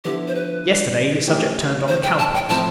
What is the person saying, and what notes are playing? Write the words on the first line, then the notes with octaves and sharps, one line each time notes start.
Yesterday, the subject turned on the cow-pox.
D3 F3 B3 E4 G4
C5
B4
E3 A3 E4 G4
C5
G5
A5
G5
A2 F3 C4 A5